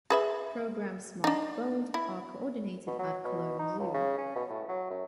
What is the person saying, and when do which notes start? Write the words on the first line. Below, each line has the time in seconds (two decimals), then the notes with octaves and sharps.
Programmes marked bold are coordinated at Cologne Zoo.
0.10 G#4 B4 E5
1.24 D4 D#4
1.94 E4
2.87 B2
2.99 F#3
3.25 B2
3.59 D#4
3.79 C#2
3.94 C#3
4.18 C#4
4.35 B2
4.49 A2
4.68 F#3
4.90 F#2